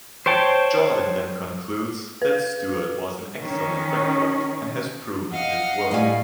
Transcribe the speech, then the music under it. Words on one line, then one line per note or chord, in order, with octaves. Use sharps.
Jordan then concludes that Stewart was an excellent recruit and has proven his worth.
C5 C#5 G5 A5
B4
D#3 C#4
D#5 F5 F#5
A2 G3 F5 G#5